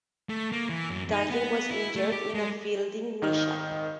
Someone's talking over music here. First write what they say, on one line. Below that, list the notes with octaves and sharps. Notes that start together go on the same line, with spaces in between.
Darling was injured in a fielding mishap.
A3
A#3
E3
F#2
D#4
B3
E4
A3
G4
G#3
G#1 D#3 D#4 F6